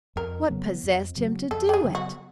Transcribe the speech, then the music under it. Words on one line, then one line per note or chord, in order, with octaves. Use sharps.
What possessed him to do it?
F2 A#4
C#3 F#3 B3
F2
C#3 F#3 B3
F2 A4
G4
G#4
C#3 F#3 B3
F#4